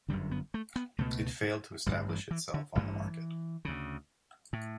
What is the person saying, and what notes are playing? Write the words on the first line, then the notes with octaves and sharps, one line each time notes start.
It failed to establish itself on the market.
G1 F#2 D3 G3
B3
A3
B3
C#2 B2 A3
A1 G2 D3 G3
E3
E3
D3
A1 G2 D3 E3
D2 C#3
A2